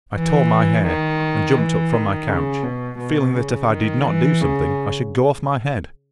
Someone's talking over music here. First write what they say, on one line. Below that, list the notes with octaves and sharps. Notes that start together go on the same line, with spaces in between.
I tore my hair, and jumped up from my couch, feeling that if I did not do something I should go off my head.
E3
D#3
E3
D#3
C#3
B2
B2
C#3
D#3
E3
C#3